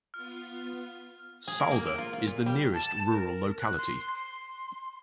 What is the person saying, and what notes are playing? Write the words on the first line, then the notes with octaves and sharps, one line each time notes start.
Salda is the nearest rural locality.
B3 F4 F6
G#4
A#4
A#3
A#4
F4
F4
A#2
G3
A5
A#4
F#6
C6
C6